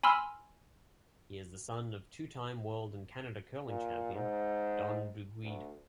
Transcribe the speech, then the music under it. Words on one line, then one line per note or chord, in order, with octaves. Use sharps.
He is the son of two time world and Canada curling champion Don Duguid.
G#5 B5 C6 E6 F6
A#2
G#2
D2